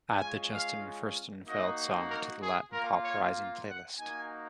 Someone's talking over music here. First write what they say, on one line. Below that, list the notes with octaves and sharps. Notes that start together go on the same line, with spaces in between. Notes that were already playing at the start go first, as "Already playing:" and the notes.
Add the Justin Furstenfeld song to the latin pop rising playlist.
G#3 C#4 F4 G#5
F5
A#3 D#4 F#4 D#5
A#4
G#4
A#3 F4 A#4
C#5
F#5
A#3 D#4 F#4 G#5